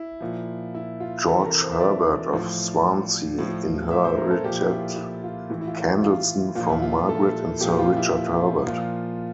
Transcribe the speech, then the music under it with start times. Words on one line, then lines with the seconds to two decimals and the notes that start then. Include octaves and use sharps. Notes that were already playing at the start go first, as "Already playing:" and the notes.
George Herbert of Swansea inherited Candleston from Margaret and Sir Richard Herbert.
Already playing: E4
0.21 A#2 F3
0.75 E4
1.00 F4
1.27 C3 E3 A4
1.45 A#4
1.62 C5
1.72 E5
1.80 D5
2.33 A2 F3
3.39 A2 F3
3.91 E5
4.04 C5
4.17 A#4
4.31 A4
4.44 A#2 F3 G4
4.61 E4
4.70 F4
4.96 E4
5.24 F4
5.50 A2 E3
5.61 E4
5.67 F4
6.03 F4
6.55 A#2 F3 F4
6.69 E4
6.82 F4
7.09 A4
7.61 A#2 F3 G4
7.79 F4
7.97 E4
8.67 A#2 F3 F4